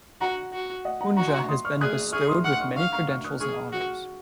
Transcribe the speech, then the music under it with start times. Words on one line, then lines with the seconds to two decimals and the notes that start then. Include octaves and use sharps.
Punja has been bestowed with many credentials and honors.
0.21 F#4 F#5 A#5
0.53 F#4
0.85 D#5 F#5
1.01 F#5 A#5
1.17 F#4 A#5 C#6
1.27 G#5 C6
1.38 A#5 C#6
1.49 C6 D#6
1.65 C#6 F6
1.81 G#4 D#6 F#6
2.12 G#4 C#6 F6
2.28 C6 D#6
2.44 F#5 C#6 F6
2.60 C#6 F6
2.76 F5 C#6 F6
2.92 A#5 C#6
3.09 C#6 F6
3.24 D#6 F#6
3.40 G#4 C#6 F6
3.72 F#4